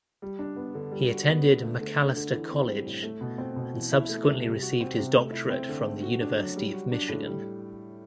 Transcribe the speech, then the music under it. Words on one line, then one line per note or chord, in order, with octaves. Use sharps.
He attended Macalester College and subsequently received his doctorate from the University of Michigan.
G3
D4
B3
D3
G3
F#4
B3
D3
A3
D3
D4
D3
E3
C4
G3
A2
A3
B2
C4
B2
E3
E4
A3
C3
G3
F#4
C4
C3
A3
E4
C4
D3
A3
F#4
D4
F#3
G3
F#4
D4
A2
G3